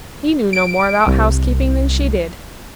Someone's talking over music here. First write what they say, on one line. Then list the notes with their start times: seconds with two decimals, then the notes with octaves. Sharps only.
He knew no more about housekeeping than she did.
0.53 D7
1.07 C2